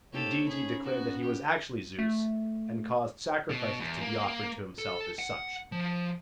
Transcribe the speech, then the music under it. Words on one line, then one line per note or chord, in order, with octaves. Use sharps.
Indeed he declared that he was actually Zeus, and caused sacrifices to be offered to himself as such.
C3 A#3 D#4 E4 G4 A4 C#5
C#4 G#4 B5
B3 F#4
G4
A3
B2
E2
A#3
A4
F#5
F3